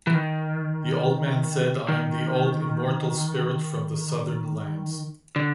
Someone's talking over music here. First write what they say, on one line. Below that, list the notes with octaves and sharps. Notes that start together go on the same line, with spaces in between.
The old man said, I am the old immortal spirit from the southern lands.
E3
D#3
D#3
D3